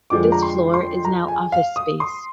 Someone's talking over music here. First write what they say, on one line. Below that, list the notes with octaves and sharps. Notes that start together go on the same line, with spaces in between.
This floor is now office space.
F2 D3 F3 G#3 D6
A#5
C6
C6
A#5
G#5
F5
D#6
C6